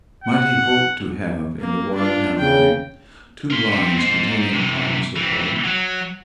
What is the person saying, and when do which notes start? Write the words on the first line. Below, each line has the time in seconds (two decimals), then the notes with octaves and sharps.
Might he hope to have, in the royal handwriting, two lines containing a promise of pardon?
0.24 F#5
1.60 A#3
1.94 D4 F4
2.37 C#3 G5
3.50 A#4 C6
3.72 B3 C4
3.97 G#3 C5
4.54 C3 E3
5.16 E3 C4
5.64 F#3